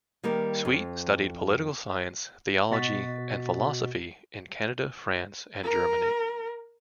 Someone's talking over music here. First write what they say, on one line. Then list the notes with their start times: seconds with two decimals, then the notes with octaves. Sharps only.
Sweet studied political science, theology, and philosophy in Canada, France, and Germany.
0.24 D#3 G3 A#3 A#4
0.65 F2
2.71 B2 F#4 D#5 A6 B6
5.64 A#4